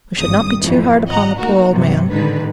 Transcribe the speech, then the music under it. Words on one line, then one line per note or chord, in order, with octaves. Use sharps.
We should not be too hard upon the poor old man.
G#1 G2 D#6
F2 E3
G#1 D#5 F#5 A#5
A3 A#3 D#4 F#4 A#4
G2 C3 F#3
A1 G#2 D3 D#3 B4